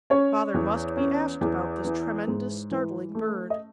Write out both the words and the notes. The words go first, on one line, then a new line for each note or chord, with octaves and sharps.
Father must be asked about this tremendous, startling bird.
C#4 C#5
E2
C#4
E2
E3
G#2
E3
A3
D#5